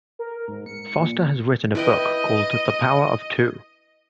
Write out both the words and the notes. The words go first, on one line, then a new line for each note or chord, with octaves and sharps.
Foster has written a book called "The Power Of Two".
A#4
G#2
C#7
A#2
E4 B4 D#5 G5